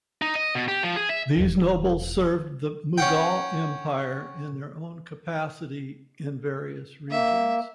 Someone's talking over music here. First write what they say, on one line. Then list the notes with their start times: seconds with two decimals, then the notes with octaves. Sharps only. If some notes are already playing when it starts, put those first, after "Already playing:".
These nobles served the Mughal Empire in their own capacity in various regions.
0.22 D#4
0.35 D#5
0.55 B2
0.68 G4
0.83 F3
0.96 G#4
1.09 E5
1.36 E1 E2
2.98 C#4 F#5 G5
7.11 A#3 E5